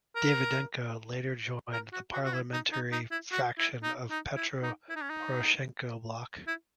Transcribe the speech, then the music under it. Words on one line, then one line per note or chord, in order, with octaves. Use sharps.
Davydenko later joined the parliamentary faction of Petro Poroshenko Bloc.
A#4
A#4
F#4
F#4
F#4
E4
D#4
D#4
D#4
E4
F#4
E4
D#4
D#4
E4
D#4
E4
D#4
C#4
D#4
E4